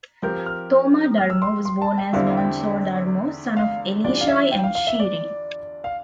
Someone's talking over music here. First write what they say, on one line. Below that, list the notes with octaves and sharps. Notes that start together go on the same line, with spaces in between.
Thoma Darmo was born as Mansour Darmo, son of Elishai and Shirine.
F3 C4 G4 A#4 G6
F6
F6
E6
C6
C6
A5
G5
E2 D3 G3 C4 E4 F5
G5
F5
E3 G3 D4 F4 D5
F5
E5
G5
F5
F5
E5
D5
F5